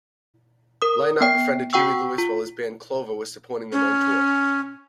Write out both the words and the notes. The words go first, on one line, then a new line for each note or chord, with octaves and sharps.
Lynott befriended Huey Lewis while his band, Clover, was supporting them on tour.
A#4 D#6
B3 G5 C7
F#4 F#5 G5 C#6 E6
F4
C#4